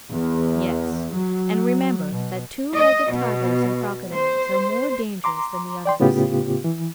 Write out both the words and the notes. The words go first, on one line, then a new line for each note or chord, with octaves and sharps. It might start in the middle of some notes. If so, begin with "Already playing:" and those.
"Yes; and remember that two-legged tigers and crocodiles are more dangerous than the others."
E2
F#3
B2
D#5
B2
C5
A#5 C6 D6
D5 G5 C6
A2 C#3 B3 F4 G4
E3